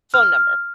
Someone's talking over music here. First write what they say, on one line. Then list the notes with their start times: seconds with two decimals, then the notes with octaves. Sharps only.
phone number
0.14 F6